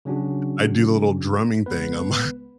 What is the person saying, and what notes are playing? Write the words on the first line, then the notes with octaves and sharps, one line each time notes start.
I do the little drumming thing on my
C#3 F#3 C#4 D4 F#4
C#2 B3 B4